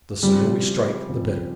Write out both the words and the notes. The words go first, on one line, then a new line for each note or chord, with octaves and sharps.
The sooner we strike the better.
C#3 F3 G3 C4
C#3 F3 C4